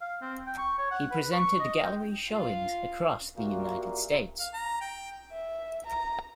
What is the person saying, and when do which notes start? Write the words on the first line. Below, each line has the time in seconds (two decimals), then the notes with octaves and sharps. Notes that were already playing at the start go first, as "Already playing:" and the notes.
He presented gallery showings across the United States.
0.01 F5
0.22 C4
0.47 G5
0.58 C#6
0.78 C#5
0.91 F#5
1.11 B4
1.32 C#6
1.60 D#5
1.84 G5
2.28 F4 F5
3.37 A#2 F#4 G4 E5 F5 A#5
4.40 F5
4.54 A#5
4.81 G5
5.32 E5
5.86 A#5